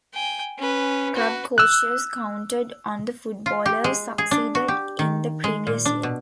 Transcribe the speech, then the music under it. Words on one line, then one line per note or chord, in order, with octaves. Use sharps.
Club coaches counted on the footballers succeeded in the previous year.
G5 G#5
C#4 B4
F#4 B4
E6 F#6
F4
G4
G#3
G#4
D4
F#4
G4
D#3
G#3
A#2
D4
B2